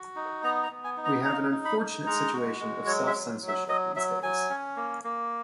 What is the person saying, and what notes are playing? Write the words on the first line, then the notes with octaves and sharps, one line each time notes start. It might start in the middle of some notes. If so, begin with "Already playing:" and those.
We have an unfortunate situation of self-censorship these days.
Already playing: F#4
D#4
B3 A#5
A#5
B3
G#5
D#4
A#5
D#4 A#5
D#4
B5
D#4
G#3 A#5
F#4
G#3
F#3 C#5
E5
F#3
F#3
E5
F#3 D#5
F#3 E5
F#3 G#5
C#4
A#3
A#3